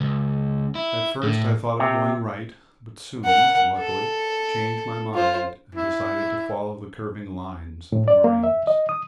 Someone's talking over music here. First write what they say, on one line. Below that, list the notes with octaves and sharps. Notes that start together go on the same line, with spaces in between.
At first I thought of going right, but soon, luckily, changed my mind and decided to follow the curving lines of the moraines.
C#2
E4
A2
C3
A#4 F#5
A4
F4 C5
E4
A2
D5
A#3
E5
D#5
D#6